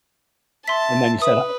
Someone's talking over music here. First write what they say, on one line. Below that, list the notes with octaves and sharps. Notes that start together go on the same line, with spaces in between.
and then you said I
E5 A5 C6 B6
B4 D#6